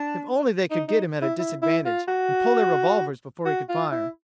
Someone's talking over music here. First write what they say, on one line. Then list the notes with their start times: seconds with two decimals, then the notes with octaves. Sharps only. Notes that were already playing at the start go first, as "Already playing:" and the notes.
If only they could get him at a disadvantage, and pull their revolvers before he could fire.
Already playing: D4
0.71 D#4
0.88 D#4
1.22 E4
1.39 E4
1.62 E4
1.86 F4
2.08 F#4
3.45 F#4
3.69 F4
3.92 E4